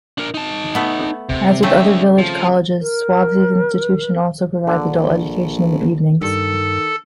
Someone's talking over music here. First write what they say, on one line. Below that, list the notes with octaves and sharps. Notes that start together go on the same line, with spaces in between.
As with other village colleges, Swavesey's institution also provides adult education in the evenings.
D4 A#4
D#4 A5
A3 B3
C3
C#3 A3 C4 D4 E5
F3
A#4
A#1 D3
G2 D#3 A4